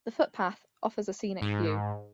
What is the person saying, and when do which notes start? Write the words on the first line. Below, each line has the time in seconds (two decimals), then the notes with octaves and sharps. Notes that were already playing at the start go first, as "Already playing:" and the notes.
The footpath offers a scenic view.
1.42 G#2